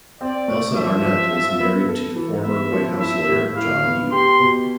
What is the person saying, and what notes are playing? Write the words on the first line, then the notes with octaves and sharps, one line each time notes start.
Elsa Arnett is married to former White House lawyer John Yoo.
C4 D5
A3
F3 E5
F3
F4
B3
A4
E3
B3 E5
F3
E4 E5
A2
E4 F5
B3
G4 C6
B2